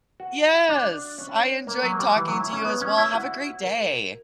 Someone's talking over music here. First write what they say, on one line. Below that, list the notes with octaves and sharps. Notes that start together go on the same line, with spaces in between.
Yes, I enjoyed talking to you as well, have a great day.
F#4
D4
C#4
A#3
F#3
A#3
G3
E3
F#3
E4
C#4
B3
C#4
E4
F#4
A#4